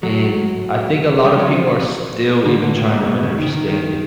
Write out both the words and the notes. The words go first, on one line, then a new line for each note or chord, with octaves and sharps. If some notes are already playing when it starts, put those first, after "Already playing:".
And, I think a lotta people are still even trying to understand it.
F#3
G3
F#3
F3
D3
D3
A2
A#2
B2
C#3
D#3
D#3
D#3